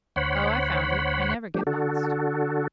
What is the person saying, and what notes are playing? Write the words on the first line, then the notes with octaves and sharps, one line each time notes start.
"Oh, I found it, I never get lost."
D2 C5 C#5 F#5 B5
F3 G3 A3 D4 G4
D3 F#4 A4